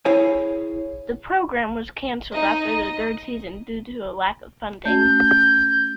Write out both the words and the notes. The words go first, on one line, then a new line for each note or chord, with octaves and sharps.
The program was canceled after the third season due to a lack of funding.
E4 G#4 C#5 F5 G#5
D#4 D#5
D#5
A3 C#4 F#4 G6